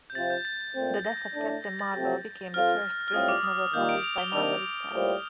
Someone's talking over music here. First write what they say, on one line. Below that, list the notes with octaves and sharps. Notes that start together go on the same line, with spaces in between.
"The Death of Captain Marvel" became the first graphic novel published by Marvel itself.
G6
C3 F3 C4 F4 A6
G6
A6
A#2 A3 C4
A6
A#6
A2 A3 D4
A#6
A6
C3 F3 A3 C4 G4
F3 C4 F4 A4 F6
F6
A2 G3 C4 F4 D#6
D6
D#6
D#6
D#3 G3 A#3 F4 G6
D7
F7
G7
C3 D#3 A#3 D4 F7
A2 G3 A#3 F4 C5